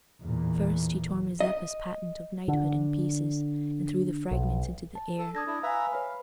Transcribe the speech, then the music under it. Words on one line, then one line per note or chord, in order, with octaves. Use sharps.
First, he tore Mazeppa's patent of knighthood in pieces, and threw the fragments into the air.
E2 A#2
D#5
D3
B1
A5
A4
D4 A4 D#6 G#6 A#6
D4 E4
B4 E5 F5 G#5 A#5
B4 C#5 F5 B5